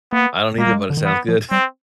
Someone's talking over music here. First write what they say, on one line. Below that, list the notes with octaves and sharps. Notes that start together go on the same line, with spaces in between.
I don't either, but it sounds good.
A#3 B3
G#3 A#3
G3
G#3
D3
D#3
E3 B3
F3
G3 C4